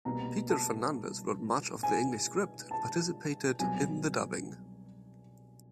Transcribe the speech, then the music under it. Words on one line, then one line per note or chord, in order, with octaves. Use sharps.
Peter Fernandez wrote much of the English script, and participated in the dubbing.
C2 B2 G3 A#3 A#5
A5
G#5
A5
C2 B2 F#3 G#5